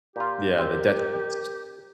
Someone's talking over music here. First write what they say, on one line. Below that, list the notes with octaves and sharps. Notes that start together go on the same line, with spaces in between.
Yeah, the detriments
A#2 F4 G4
C4 A#4 C5